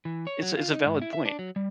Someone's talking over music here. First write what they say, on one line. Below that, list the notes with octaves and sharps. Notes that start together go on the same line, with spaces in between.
It's a it's a valid point.
E3
C#5
F#3
F4
D#4
G#2
E4
E5
D4
F#3
G3